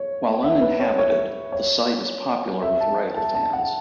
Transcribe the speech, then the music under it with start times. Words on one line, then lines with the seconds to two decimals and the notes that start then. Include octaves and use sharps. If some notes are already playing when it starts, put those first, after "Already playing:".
While uninhabited, the site is popular with railfans.
Already playing: C#5
0.43 E5
0.61 B4
0.80 C#5
0.98 C#5
1.52 C#5
2.62 E5
2.80 A5
3.16 A5
3.35 A5
3.53 F#5